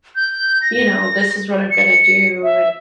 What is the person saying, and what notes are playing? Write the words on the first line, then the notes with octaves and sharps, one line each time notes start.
you know, "This is what I'm gonna do," and
G6
A#6
C#7
E5